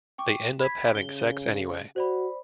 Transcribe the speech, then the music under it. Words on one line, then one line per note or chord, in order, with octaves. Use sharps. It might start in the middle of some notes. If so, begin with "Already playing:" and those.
They end up having sex, anyway.
G5 C#6 D6
B5 G#6 B6
C#3 G7
F#4 C5 D5 B5